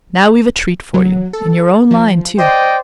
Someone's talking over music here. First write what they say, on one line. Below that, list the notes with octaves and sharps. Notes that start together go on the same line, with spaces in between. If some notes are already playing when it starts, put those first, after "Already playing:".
Now we've a treat for you, in your own line, too.
F#3
A4
F3
C5 D5 D#5 G5